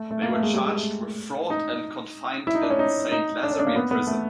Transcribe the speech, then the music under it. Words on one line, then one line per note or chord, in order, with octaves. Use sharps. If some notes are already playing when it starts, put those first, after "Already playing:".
They were charged with fraud and confined in Saint Lazare prison.
Already playing: A3
A3
A#3
A3
G#3
G3
G#3
A3
D#4
E4
D#4
D4
C#4
D#4
D#4
D4
C#4
D4
A#3
B3
B3
A3